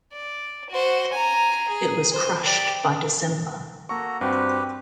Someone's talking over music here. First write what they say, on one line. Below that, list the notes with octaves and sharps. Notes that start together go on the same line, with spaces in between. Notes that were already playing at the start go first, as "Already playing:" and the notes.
It was crushed by December.
D5
F#4 C5
G#5 A#5
G#4
C5
G4 D5
A#3 F#4 A4 A#5 C#6
G2 C4 F#4 G4 B4 C6